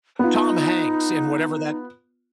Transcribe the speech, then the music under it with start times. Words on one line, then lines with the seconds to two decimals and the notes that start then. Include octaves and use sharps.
Tom Hanks and whatever that
0.19 B3 D#4 F4